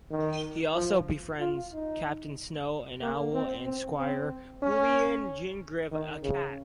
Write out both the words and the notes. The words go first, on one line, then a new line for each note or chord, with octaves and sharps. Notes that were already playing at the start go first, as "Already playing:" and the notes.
He also befriends Captain Snow, an owl, and Squire Julian Gingivere, a cat.
D#3
F3
F4
D#4
A#3
C4
C4
C4
C#4
D#3
C#3